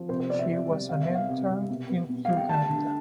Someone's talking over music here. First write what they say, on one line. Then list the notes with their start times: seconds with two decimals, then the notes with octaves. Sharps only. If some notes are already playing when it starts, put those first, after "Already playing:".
She was an intern in Uganda.
Already playing: F3
0.09 C3 C5
0.20 C5
0.29 B3 D5
0.39 E5
0.49 C3
0.69 G3
0.89 C3 F5
1.01 E5
1.09 B3
1.15 F5
1.29 C3
1.49 G3
1.70 B2
1.89 B3
2.09 B2
2.25 G3 F5
2.37 G5
2.49 A3 A5
2.69 D3